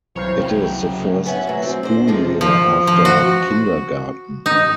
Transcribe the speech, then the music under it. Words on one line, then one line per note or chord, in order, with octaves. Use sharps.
It is the first school year after kindergarten.
C2 E3 F#3 C5 C#5 F5
F#2 C#3 G5
B3 C#4 E4 F#5
D2 F#3
C4
D4 D#4 C5
C3 D#3 F3 G#3 A4
F3
F3
F#4
D#4